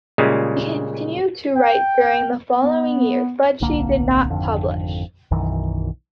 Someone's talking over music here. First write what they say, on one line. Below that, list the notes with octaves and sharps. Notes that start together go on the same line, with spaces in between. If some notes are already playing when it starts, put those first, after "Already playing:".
She continued to write during the following years, but she did not publish.
A#2 C#3 G3 G#3
G5
B3
D1 B1 D3 A#3
G#1 F2 D3
B1 F#2 D#3 E3